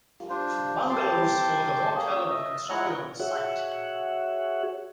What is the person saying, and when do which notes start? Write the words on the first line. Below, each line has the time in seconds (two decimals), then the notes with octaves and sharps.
Bungalows for the hotel were constructed on the site.
0.30 D4 F4 C5
0.89 G4 C5 G5 A5 C6
1.95 A#3 C#4 G#4
2.30 D#5 E5
2.70 G#3 E4 F#5 G#5 A#5 F#6
3.20 F#4 G#4 C#5 E5 F#5